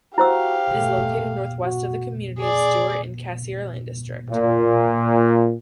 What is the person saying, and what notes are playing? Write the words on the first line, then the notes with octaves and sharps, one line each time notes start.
It is located northwest of the community of Stewart in Cassiar Land District.
E4 F#4 G4 C5 F5 E6
A3
F#4
G#4 D5
A#2